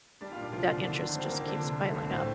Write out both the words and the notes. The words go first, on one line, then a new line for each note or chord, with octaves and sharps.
that interest, just, keeps piling up.
G3 D4 D5
F4 F5
A#2
D4 D5
C2 F3 F4
C2 D3 D4
D3 D#3 D4
C3
G3 C4
A#3
F2
C4
D3 F3 D4
C3
A3
C2
A2 C4